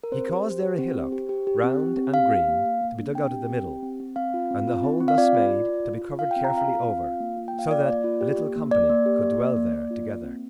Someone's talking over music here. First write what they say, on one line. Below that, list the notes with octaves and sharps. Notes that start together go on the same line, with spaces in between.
He caused there a hillock, round and green, to be dug out of the middle, and the hole thus made to be covered carefully over, so that a little company could dwell there together.
A#4
C4 C5
G4
G4
G4
C4
G4
G4
G4
G4
C4
G4
C4
G4 F5
G4
A#3
A#3
A#3
D4
C4 G5
G4
C4
G4
C4
C4
C4 F5
F4
C4
F4
C4
C4
F5
F4 D5
F4
F4
F4
F4
F4
F4 F5
G5
C4
A#5
F4 F5
F4
C4
F4
A#3
F4
G5
A#3
F5
F4 D5
A#3
F4
G4
A#3
A#3
A#3 D5
A#3
G4
A#3
A#3
A#3
A#3
F4
A#3
C4